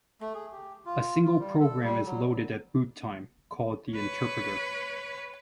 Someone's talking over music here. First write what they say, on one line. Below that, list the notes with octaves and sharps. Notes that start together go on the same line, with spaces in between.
A single program is loaded at boot time, called the interpreter.
A3
G#4
G4
F4
F4
G3
A4
G3
F#3
B4 C#5